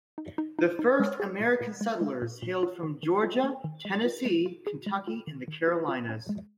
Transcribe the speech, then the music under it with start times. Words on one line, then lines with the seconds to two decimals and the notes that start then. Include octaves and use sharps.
The first American settlers hailed from Georgia, Tennessee, Kentucky, and the Carolinas.
0.18 D#4
0.38 D#4
0.59 D#4
0.79 D#4
1.00 G#3
1.20 G#4
1.40 A#2
1.61 A#2
1.81 G#3
2.01 G#3
2.22 A#2
2.42 A#2
2.63 F4
2.83 D#3
3.03 D#3
3.23 F4
3.44 A#3
3.64 D#3
3.85 G#3
4.06 F4
4.25 G#3
4.46 F4
4.67 G#4
4.86 G#3
5.07 F4
5.27 D#3
5.48 D#3
5.68 F4
5.88 F4
6.09 C#4
6.29 G#3